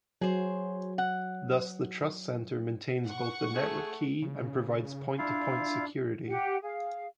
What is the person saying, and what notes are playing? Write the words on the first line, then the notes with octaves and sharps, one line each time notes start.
Thus, the trust center maintains both the network key and provides point-to-point security.
F#3 G#4 C5
F#5
F#5 C#6
A3 G#4
C#3
D4 E4 F4 F5
G4 F#5
G#4 F5